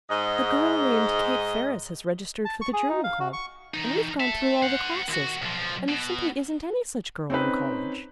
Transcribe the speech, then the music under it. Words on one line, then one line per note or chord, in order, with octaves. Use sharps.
"A girl named Kate Ferris has registered for the German Club, and we've gone through all the classes, and there simply isn't any such girl in college."
G#2 D#5
A5
C#6
G#4
D#4
F5
F#4
C#6
E3 D#4
E5 A5
C5 F#5
D#2 F#4
B1 F3
B2
C4 C#4 D#4 B4